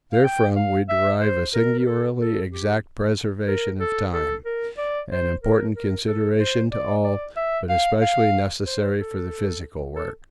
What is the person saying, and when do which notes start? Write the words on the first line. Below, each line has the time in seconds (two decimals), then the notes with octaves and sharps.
Therefrom we derive a singularly exact preservation of time--an important consideration to all, but especially necessary for the physical work.
0.13 F5
0.24 G5
0.56 F5
0.89 E5
1.21 C5
1.54 A#4
1.79 A#4
1.85 A4
2.19 A4
2.51 G4
3.48 A#4
3.80 A4
4.12 A4
4.45 A#4
4.78 D5
5.10 C5
5.43 A#4
5.75 A#4
6.07 A4
6.39 C5
6.72 D5
7.04 D5
7.36 E5
7.69 F5
8.01 F5
8.66 C5
8.98 A4
9.95 A4